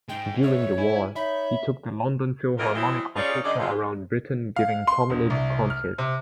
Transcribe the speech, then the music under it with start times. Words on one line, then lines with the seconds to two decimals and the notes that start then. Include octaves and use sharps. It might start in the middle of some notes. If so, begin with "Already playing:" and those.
During the war, he took the London Philharmonic Orchestra around Britain giving promenade concerts.
0.09 G#3 D#4 G5
0.43 C#5 E5
0.78 E4 G#5
1.16 D#4 C#5 E5 B5
2.58 F2 E3 F3 D#4 A4 A#4
2.75 E3 F#3 G#3 C4 E4
3.16 C#4 D#4 F4 G#4 C#5 D5
3.44 F#2 C#3 D4 D5 D#5
3.59 B2 G#3 C4 F4
4.56 F5
4.87 C6
5.10 E1
5.30 C2
5.70 F6
5.98 C3